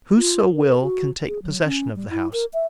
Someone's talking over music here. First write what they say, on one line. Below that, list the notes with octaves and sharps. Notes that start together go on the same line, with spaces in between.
Whoso will can take possession of the house.
F4
A#4
F#4
G#4
F#3
C#4
G3
E4
A#4
E5